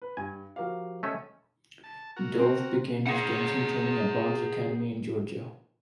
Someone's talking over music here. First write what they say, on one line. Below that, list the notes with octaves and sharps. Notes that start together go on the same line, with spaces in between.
Dove began his dance training at Boggs Academy in Georgia.
B4
G2 G#5
F3 F#4 G4 A#4 F5
A3 C#4 D#5 G#5 E6
A5
F#4 A#4
C4
G#4 F#5